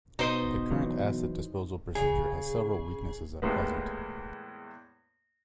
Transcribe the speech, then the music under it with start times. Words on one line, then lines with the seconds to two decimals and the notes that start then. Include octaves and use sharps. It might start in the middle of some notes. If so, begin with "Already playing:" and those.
The current asset disposal procedure has several weaknesses at present.
0.19 B2 D#4 C5 D#5
0.71 E3 F#3
1.95 C#3 G#4
3.42 E2 A2 G3 G#3 A#3 B3